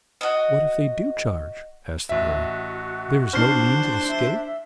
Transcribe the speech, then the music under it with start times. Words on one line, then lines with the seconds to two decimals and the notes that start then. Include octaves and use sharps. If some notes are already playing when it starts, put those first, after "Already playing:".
"What if they do charge?" asked the girl; "there is no means of escape."
0.21 F#4 D#5
2.09 A1 F#4 E5
3.33 D4 C5 C6 F6 C7
4.08 E5